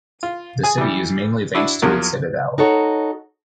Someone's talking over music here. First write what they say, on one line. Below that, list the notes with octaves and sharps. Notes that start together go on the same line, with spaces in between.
The city is mainly thanks to its citadel.
F4
G#4 G#5
E3 G3
D4 E4 F#4
E2 F3 F#3 A#3
D#4 F#4 A4 C#5